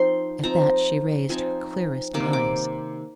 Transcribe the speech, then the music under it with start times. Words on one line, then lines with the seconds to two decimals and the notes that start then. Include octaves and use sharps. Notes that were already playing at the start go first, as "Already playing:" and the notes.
At that she raised her clearest eyes.
Already playing: F3 C4 D#4 C6
0.43 F3 C4 D#4 A#5
1.29 F3 C4 D#4 G#5
2.14 C3 D#3 A#3 D6
2.33 D6